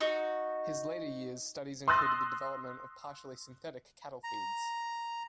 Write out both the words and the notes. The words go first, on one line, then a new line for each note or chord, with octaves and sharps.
His later years studies included the development of partially synthetic cattle feeds.
D#4 F#4
C6 D#6 E6 F#6 A6 A#6
A#5